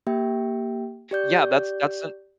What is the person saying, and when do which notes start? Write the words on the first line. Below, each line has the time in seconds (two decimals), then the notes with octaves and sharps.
Yeah, that's that's an
0.07 A#3 G4 E5 G5
1.11 G4 D5 G6